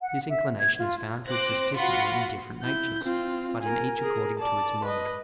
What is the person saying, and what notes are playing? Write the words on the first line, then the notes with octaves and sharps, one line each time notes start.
This inclination is found to exist differently in different natures; but in each according to its mode.
F#5
E5
G#6
F4
C4 C5 D6 F#6 A#6
F4 F#4 F#5 B5 C6
E4 G6
C4 F4
A#4 G#5
G#4 A#4
D5 A5
B4 D#5